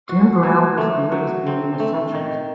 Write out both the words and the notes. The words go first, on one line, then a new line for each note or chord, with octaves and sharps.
Timbrell was viewed as being a centrist.
F#4
F#3
A3
F#3
C4
A3
D#3